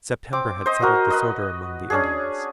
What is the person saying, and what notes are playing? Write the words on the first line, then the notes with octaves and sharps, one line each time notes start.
September had settled disorder among the Indians.
C4 D6
C5 D#5
F#4 A#4
B4 D#5
C#4 D4 G#4